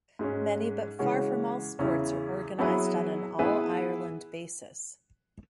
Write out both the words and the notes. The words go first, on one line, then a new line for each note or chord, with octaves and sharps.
Many but far from all sports are organised on an all-Ireland basis.
G#2 G#3 C#4
C#3 E3 G#3 C#4 F#4
E2 C#3 E3 C#4 E4
F#3 B3 E4 G#4 B4
E3 B3 E4 G#4 B4